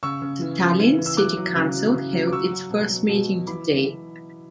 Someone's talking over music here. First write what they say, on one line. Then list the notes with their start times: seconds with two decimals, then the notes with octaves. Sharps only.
The Tallinn City Council held its first meeting today.
0.03 C#3 C#6 E6
0.22 C#3
0.41 E3
0.60 C#3
0.79 E3
0.99 E3
1.06 E6
1.17 F#3 D6 F#6
1.37 F#3
1.55 C#3
1.75 F#3
1.94 C#3
2.13 F#3
2.27 D6
2.33 F#3 C#6 E6
2.51 F#3
2.70 B2
2.89 F#3
3.09 B2
3.28 F#3
3.47 E3 B5 D6